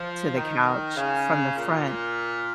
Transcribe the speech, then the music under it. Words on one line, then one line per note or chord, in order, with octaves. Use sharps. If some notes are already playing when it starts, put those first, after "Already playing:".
to the couch from the front.
Already playing: F3
D#3
C#3
A#2